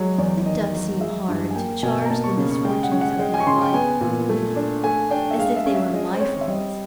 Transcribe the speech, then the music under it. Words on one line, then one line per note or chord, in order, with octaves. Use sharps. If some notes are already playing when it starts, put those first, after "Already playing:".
It does seem hard to charge the misfortunes of my life on me, as if they were my faults.
Already playing: F#3 G#3 C#5
E2 D5
D#3 D#5
F#3
G#3 E5
G2
G#5
A#3 G5
B2 G#5
A#5
A#3 A5
C#6
C#3
C#6
G#3 G5
F#5
C#4
F#5
G#3 G5
G#5
C#6
C#3 C6
G5
B3 G#5
A#2
A3
D4
A3 G#5
D4 G5
E5
G#3 F5
E5
C#4
E5
G#3 D#5
C5
C4 C#5
E5
G3 D#5